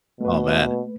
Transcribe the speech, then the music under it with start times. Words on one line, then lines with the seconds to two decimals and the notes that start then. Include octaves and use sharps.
Oh, man.
0.21 B2 A3 A#3 B4